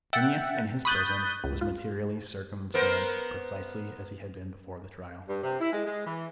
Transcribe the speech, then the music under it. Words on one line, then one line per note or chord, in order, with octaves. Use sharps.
Phineas in his prison was materially circumstanced precisely as he had been before the trial.
E5 F#5 G5 A6
B5 C#6 D#6 F#6 G6 A6
C#2
F4
B3 A#4 C5
G2
C3
E4
G#3
G#3
E3